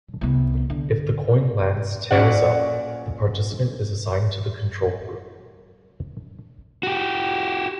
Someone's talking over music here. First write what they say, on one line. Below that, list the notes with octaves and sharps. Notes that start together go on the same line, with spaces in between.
If the coin lands tails-up, the participant is assigned to the Control Group.
C2 B3
D3
A#2 C#4 F#4 D5 F#5
F#4 G4